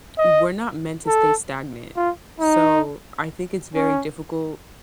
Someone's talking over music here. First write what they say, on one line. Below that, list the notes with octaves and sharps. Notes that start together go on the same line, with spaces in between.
we're not meant to stay stagnant, so I think it's very difficult
D#5
A4
F4
D#4
C#4